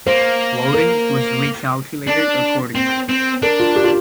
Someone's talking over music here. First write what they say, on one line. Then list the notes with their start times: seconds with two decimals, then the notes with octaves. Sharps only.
Loading was recalculated accordingly.
0.07 A#3 C5
0.74 A#4
2.08 D4
2.75 C4
3.09 C4
3.42 D4 A#4
3.60 F4
3.76 G4
3.84 F4